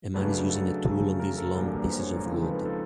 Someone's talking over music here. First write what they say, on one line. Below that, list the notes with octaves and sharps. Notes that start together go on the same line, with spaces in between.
A man is using a tool on these long pieces of wood.
C#3 F#3 A3 D4 B4
A4
C#3 F#3 A3
A#4
A4
E2 B2 G3 A#3 D4 A#4
C5
C#5
A4
A#4
C#3 F3 G#3 C4 D#4 A4
B4
A#4
A4